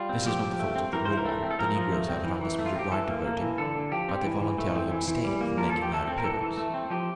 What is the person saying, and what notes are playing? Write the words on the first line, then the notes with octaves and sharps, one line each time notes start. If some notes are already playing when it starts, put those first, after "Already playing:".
"This is not the fault of the law: the negroes have an undisputed right of voting, but they voluntarily abstain from making their appearance."
Already playing: G3 F4
C4
F3 G4
F3
A3
C4
E3 A#4
E3 C5
A#4
A3
C4
A4
F3 A#4
F3
A3
C4
E3
E3
A3
F4
C4 G4
E3 A4
A#3
A#3
E3
D3 A4
D3
F3 G4
C4
E3
E3
A3
C4
E3
E3
G3
A#3
F3 A#4
A4
F3
G4
A3 A4
C4
A#4
E3 A4
E3
A3
C4
F3 G4